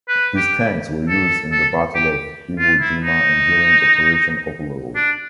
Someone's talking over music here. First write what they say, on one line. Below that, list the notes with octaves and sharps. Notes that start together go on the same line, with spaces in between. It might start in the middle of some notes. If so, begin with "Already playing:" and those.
These tanks were used in the Battle of Iwo Jima and during Operation Overlord.
B4
G4
A4
A4
G4
F4
E4
D#4
D4